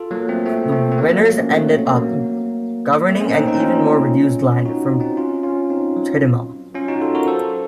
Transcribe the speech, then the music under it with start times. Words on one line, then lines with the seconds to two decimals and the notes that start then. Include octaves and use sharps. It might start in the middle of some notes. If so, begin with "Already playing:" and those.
The "winners" ended up governing an even more reduced land from Chidima.
Already playing: F4 A4
0.11 F#3 A#3
0.28 A3 C4
0.45 A3 C4
0.72 A3 C4
0.92 C4
0.98 F#3 A#3
1.11 F3 A3
1.38 A#3 C#4
1.51 A3 C4
1.68 F#3
1.86 F#3 A#3
3.08 A3 C4
3.21 A#3 C#4
3.34 C4 D#4
3.47 C4 D#4
3.60 C#4 F4
4.65 D#4 F#4
5.00 C4 D#4
5.17 C#4 F4
5.44 C#4 F4
5.70 C4 D#4
5.96 F#3
6.75 C#4 F4
6.88 D#4 F#4
7.01 F4 A4
7.15 F#4 A#4
7.27 A4 C5